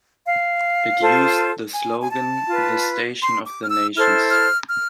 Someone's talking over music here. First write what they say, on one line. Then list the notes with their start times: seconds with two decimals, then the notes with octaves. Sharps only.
It used the slogan The Station of the Nations.
0.26 F5
0.99 F4 A4 C5
1.73 G#5
2.01 G#5
2.11 A5
2.47 F4 B4
3.22 C6
3.46 D6
3.61 F6
3.70 E6
3.94 E4 A4 C5 F6
4.32 F6
4.69 F6